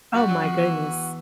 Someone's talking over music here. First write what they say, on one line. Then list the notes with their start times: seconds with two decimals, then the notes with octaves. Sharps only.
Oh my goodness,
0.14 G2 G3 F#4
0.28 F#2 F#3
0.43 F2 F3
0.58 E2 E3